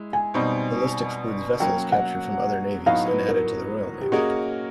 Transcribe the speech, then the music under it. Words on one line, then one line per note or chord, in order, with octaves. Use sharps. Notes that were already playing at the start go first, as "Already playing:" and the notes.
The list excludes vessels captured from other navies and added to the Royal Navy.
Already playing: G#3 E4
G#5
B2 G3 C4 D#4
F#3 A#3 C#4 G5
F#5
A2 F#3 B3 D#4 F5
B4
A#4
G4
A#3 C#4 F#4 G#4 A#4 D#5